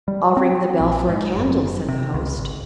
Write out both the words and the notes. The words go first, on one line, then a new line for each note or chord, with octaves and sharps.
"I'll ring the bell for a candle," said the host.
G3
C4
A#1
G#2
F#1
C3
C#2
G#1